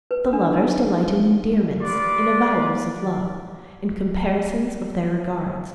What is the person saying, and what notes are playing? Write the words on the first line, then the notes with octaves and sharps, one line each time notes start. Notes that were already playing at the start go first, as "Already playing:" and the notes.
The lovers delight in endearments, in avowals of love, in comparisons of their regards.
B4
D4
D#4
F4 G4 B4 D5